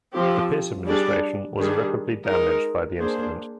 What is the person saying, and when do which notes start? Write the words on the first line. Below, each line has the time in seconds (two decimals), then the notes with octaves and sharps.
The Pierce Administration was irreparably damaged by the incident.
0.15 F3 C4 G4
0.85 G3 D4 G#4 D5
1.56 D#3 G3 D4 G#4
2.27 G#3 D#4 A#4
2.97 A#3 D4 G#4 C5